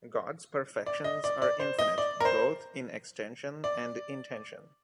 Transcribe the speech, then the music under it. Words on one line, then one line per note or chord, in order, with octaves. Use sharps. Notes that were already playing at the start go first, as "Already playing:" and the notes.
God's Perfections are infinite both in extension and intention.
D5
D#5
D5
D5
C5
D#5
D5
A#4
C5
D5